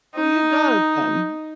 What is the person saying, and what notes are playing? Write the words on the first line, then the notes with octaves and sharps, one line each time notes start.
Oh, you got it then.
D#4